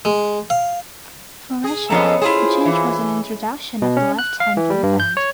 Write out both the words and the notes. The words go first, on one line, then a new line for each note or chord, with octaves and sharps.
For Russia, the change was an introduction of the left-hand blue band.
G#3
F5
G#4
F2 B3 C#4 A4 F5 A#5
E4 F4 G#4 C5
E3
B2
C#4
F#6
F5
E3
G3
G2
G6
C#5